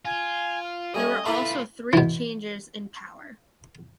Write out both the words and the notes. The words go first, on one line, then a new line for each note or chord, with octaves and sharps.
There were also three changes in power.
F4 G#5
F6
G3 A3 C#4 D#5 G#5
E4 F4 A4 B4 E5 B5
B2 E3